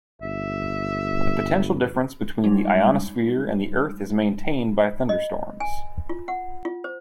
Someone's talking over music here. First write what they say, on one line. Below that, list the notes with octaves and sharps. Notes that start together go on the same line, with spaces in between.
The potential difference between the ionosphere and the Earth is maintained by thunderstorms.
G1 E5
G3 G#3 D#4
D#5
G#5
F4
F#5
F4
C5